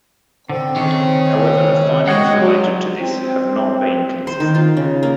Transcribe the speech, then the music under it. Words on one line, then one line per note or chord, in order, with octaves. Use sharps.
However the findings related to this have not been consistent.
D3 C4
D#3 G#4 C#5
G#3 F#4 C#5 D#5 F#5 G5
F#3
C4
C5
D#3
F4
C#3
A#3